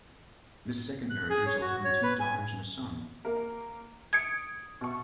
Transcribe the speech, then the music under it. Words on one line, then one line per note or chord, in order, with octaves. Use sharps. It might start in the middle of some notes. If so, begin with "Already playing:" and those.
This second marriage resulted in two daughters and a son.
F#6
G#4
C#5
F#4
C#5
B4
G#5
A#3 A#4
D#6 G#6 C#7 D7
B2 C#6